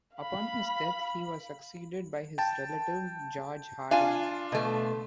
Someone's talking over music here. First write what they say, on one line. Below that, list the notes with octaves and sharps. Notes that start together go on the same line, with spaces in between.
Upon his death he was succeeded by his relative George Harding.
F5 B5
G5 A5
D4 F4 F5 G#5
B2 A3